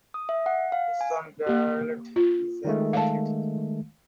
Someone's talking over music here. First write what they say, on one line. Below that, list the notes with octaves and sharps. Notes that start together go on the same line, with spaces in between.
His son Gerald is an athlete.
D#6
E5
F#5
F5
G#5
A#3 G4
F4
D#3 G#3 A3
F5 A5